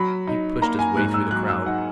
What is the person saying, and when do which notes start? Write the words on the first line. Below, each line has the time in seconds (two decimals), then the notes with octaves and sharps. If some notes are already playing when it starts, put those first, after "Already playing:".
He pushed his way through the crowd.
Already playing: F#3 B5
0.27 D#4
0.62 A#3 A#5
0.79 G#5
0.97 G#2 F#6
1.14 E6
1.31 F#3 F#6
1.49 E6
1.66 D#4 F#5